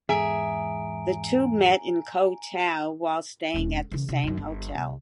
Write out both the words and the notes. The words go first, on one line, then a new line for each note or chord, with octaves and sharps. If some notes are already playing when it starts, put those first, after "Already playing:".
The two met in Koh Tao while staying at the same hotel.
E2 G#2 G#4 E5 G#5 A#5 D7
E1 C#4
C#3 E3
C3
F#2 F#3
G1
C2